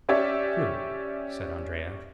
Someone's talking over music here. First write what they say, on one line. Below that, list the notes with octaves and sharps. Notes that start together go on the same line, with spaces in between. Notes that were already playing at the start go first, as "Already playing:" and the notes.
"True," said Andrea.
C#4 G4 C#5 D5 E5